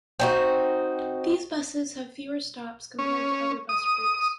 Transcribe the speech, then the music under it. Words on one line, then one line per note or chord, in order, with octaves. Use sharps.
These buses have fewer stops compared to other bus routes.
C4 D#4 F#4
C#4
D#6